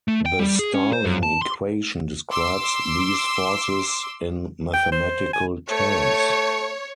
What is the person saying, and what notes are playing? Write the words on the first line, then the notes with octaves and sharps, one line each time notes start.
The Starling equation describes these forces in mathematical terms.
A3
G5
G3
G#4
C#4
C5
F#2
A5
C6
C6 D6 E6
G5
C5
G#5
A3 C#5